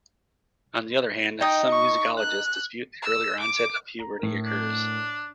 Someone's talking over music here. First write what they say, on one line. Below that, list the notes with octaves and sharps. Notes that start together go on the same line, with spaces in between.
On the other hand, some musicologists dispute that earlier onset of puberty occurs.
D#4 D#5 G5
C#6
F#6
E6
D6
A#5
A2 A#4
D4